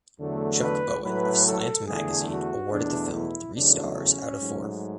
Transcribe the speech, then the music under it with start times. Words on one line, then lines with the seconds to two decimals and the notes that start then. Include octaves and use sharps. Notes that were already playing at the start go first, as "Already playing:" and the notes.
Chuck Bowen of "Slant Magazine" awarded the film three stars out of four.
0.19 E2 D3 F#3 A3
0.62 B4
1.03 A2 F#3 A3 B4
1.45 A4
1.87 E2 D3 A3 G#4
2.29 F#4
2.71 E2 B2 A3 D4
3.13 E4
3.55 E2 C#3 F#3 A3 D4
3.98 C#4
4.39 G#2 F#3 A3